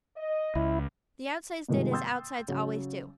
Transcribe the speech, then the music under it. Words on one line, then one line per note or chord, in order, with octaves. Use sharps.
The outsides did as outsides always do.
D#5
C#2 E4
G2 C3 D#3 F3 G#3
G5 C6 D#6 E6 G6 A6
C#3 F#3 F#4